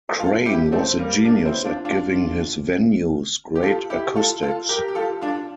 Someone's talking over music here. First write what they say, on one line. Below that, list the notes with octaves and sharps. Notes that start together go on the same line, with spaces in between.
Crane was a genius at giving his venues great acoustics.
F4 A4
E4 G4
A3 C4
G3 A#3
A#3 D4
C4 E4
D4 F4
D4 F4
G4
F4 A4
E4 G4
F4 A4
F4 A4
G4 A#4
G4
F4 A4
D4 F4